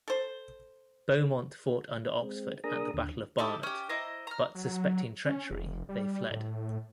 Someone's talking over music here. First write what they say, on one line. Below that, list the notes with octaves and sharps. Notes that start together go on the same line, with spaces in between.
Beaumont fought under Oxford at the Battle of Barnet, but suspecting treachery, they fled.
A4 C5
G#3 C4
A#3 D4 G#4 A#4 A#5 D#6
D#2 D3
D#4 E4 G4 A4
C#4 G4
E4 C5 D#5 A#5
A#5 F6
F#3
C#4
F1
G3
A2